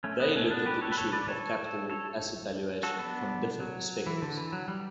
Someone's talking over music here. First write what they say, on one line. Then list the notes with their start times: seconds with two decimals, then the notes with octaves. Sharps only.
They looked at the issue of capital asset valuation from different perspectives.
0.04 A3 C#4
0.20 B3
0.35 A3 C#4
0.50 B3 D4
0.66 G4 B4
0.82 A4 C#5
0.92 B4
0.97 A4 C#5
1.12 B4 D5
1.28 A4 C#5
1.90 A4 C#5
2.83 F#4 A4
2.98 B3 D4
3.60 F#3
4.07 E3
4.22 D3
4.37 E3
4.53 F#3
4.68 G3